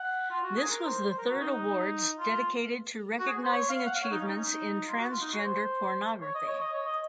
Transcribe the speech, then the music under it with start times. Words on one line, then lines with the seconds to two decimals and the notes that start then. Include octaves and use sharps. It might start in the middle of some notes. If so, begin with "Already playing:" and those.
This was the third awards dedicated to recognising achievements in transgender pornography.
Already playing: F#5
0.30 F4
0.43 F#4
0.57 G#4
0.71 A#4
0.84 C5
1.08 C5
1.18 A#4
1.29 F#4
1.40 D#4
1.51 D#4
2.19 F4
3.20 F#4
3.27 G#4
3.44 C5
3.52 C#5
3.69 F5
3.86 F#5
3.95 F5
4.03 C#5
4.11 D#4
4.20 C#4
4.28 D#4
4.37 C#4
4.45 D#4
4.88 F4
4.98 F#4
5.10 F4
5.21 D#4
5.33 F#4
5.39 C#5
5.43 C5
6.21 C#5
6.35 D#5
6.47 C#5
6.60 D#5
6.73 C#5
6.86 D#5